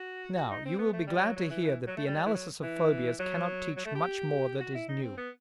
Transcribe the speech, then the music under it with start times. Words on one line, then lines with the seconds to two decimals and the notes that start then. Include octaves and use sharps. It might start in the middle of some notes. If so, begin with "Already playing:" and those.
Now you will be glad to hear that the analysis of phobias cannot teach much more that is new.
Already playing: F#4
0.37 F#4
0.51 D#4
0.65 C4
0.79 B3
0.93 A3
1.07 G3
1.18 G3
1.21 F#3
1.36 F#3
1.50 E3
1.64 E3
1.87 F#3
1.97 A3
2.06 G3
2.26 E3
2.34 F#3
2.63 E3
3.19 F#3
3.76 F#3
3.85 A3
3.95 G4
4.60 F#4
4.75 E4
4.89 D#4
5.03 C4
5.17 B3